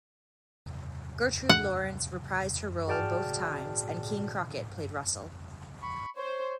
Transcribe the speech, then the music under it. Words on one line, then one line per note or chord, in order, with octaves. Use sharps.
Gertrude Lawrence reprised her role both times and Keene Crockett played Russell.
F#5
F#4 G#4 D5 G5 A5 F6
B5 C#6
C5 C#5